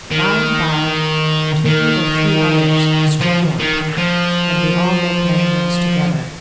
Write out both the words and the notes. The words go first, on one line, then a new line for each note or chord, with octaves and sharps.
By and by two or three others stroll up, and we all make measurements together.
D#3
D#3
F3
D#3
F3